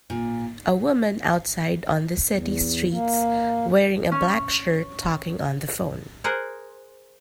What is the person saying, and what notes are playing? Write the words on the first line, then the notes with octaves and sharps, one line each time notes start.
A woman outside on the city streets wearing a black shirt talking on the phone.
A#2
E2
A#3
C#4
G#4 A#4 C5 F#5